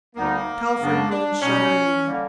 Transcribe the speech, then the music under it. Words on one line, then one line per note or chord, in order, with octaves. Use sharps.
Telford moaned shudderingly.
D2 D3 G3 A#3 B3 D#4
F#2 C#3 F#3 B3 D4
D4
B2 G3 B3 C#4 D#4
D3 G3 A#3